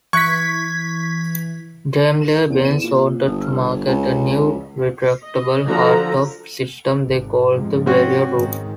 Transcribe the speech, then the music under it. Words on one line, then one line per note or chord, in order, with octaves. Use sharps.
Daimler-Benz wanted to market a new retractable hardtop system they called the "Vario-Roof".
E3 C#6 F#6 G#6 B6 C#7
E2
A#2
G1
C#2
D#5
D3 F3 F#4 A4 A#5
G#1
G#2 C3 F3
C4 C#4 F#4
G#2 D#3 G#3